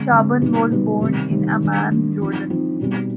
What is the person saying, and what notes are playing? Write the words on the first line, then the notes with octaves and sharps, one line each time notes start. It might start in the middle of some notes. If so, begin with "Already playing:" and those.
Shaban was born in Amman, Jordan.
Already playing: D3 G#3 C4
D3 G#3 C4
B2 G3 B3 D#4
B2 G3 B3 D#4
C3 D#3 G3 C4 D#4
C3 D#3 G3 C4 D#4
D#3 G3 D4
D#3 G3 D4
F3 C4 D#4
F3 C4 D#4
B2 G3 C4 D#4